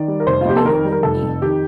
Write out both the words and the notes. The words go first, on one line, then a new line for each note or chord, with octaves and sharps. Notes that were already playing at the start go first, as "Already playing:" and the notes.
'I knew it wouldn't be.
Already playing: D#3 D5
G3
A#4
F1 C5
F4
F2 G4
A4
D#3 A#4
G3
A#4
F1 A4
F2
D#3 G4